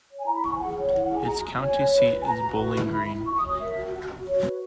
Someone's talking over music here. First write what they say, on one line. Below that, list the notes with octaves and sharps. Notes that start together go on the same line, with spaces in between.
Its county seat is Bowling Green.
C#5
G#5
E4 A#5
B5
E4 C#6
G#5
G#4 F#5
C#5
E4 F#5
F#5
G#4
G#5
F#4 A#5
F#4
C#5 G#5
C#5
B4
B4
G#5
B4 A#5
F#4
B4
E4
E4 B5
E4
F#4 C#6
D#6
C#5
D#6
A#4 E5
F#4
F#4
F#4
F#4 C#5
B4